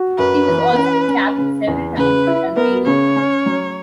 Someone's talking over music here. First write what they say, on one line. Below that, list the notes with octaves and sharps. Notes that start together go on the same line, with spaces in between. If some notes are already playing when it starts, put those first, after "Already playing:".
He was also capped several times with Albania.
Already playing: F#4
F#2 B4
E3
C#4
C#4
C#3
E2
C#3 B4
E4
B3 A#4
C#3 C#5
C#4
F#3